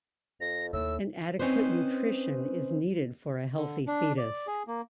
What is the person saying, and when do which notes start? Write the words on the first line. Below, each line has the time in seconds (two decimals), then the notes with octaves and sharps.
An adequate nutrition is needed for a healthy fetus.
0.41 F2 A#6
0.73 D#2 A2 E6
1.39 C4 C#4 D#4 B4 C5
3.57 D3
3.87 D4
4.17 D5
4.47 G#4
4.67 A#3